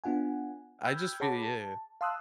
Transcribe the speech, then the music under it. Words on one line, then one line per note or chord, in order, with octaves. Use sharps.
I just feel yeah.
B3 D4 F4 F#5 G#5
G5 B5 E6 F6 G6 G#6
G#4 C#5 F#5 A5 B5 D6
A5
F5 A5 C6 D#6 E6 F#6